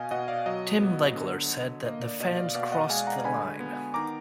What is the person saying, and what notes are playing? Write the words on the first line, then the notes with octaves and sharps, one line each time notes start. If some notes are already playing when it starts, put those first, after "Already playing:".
Tim Legler said that "the fans crossed the line".
Already playing: B2 D#5 F5 G#5
B2 D#5 F#5
D5 F5
F#3 D#5
B3
D3
D3
A#3 D#5
D5
B2 D#5
D5 F5
B2 D5 F5
D#5 F#5
G#3 F5 G#5
F#5 A#5
D3 G#5 B5
B3
D#3 A#5 D6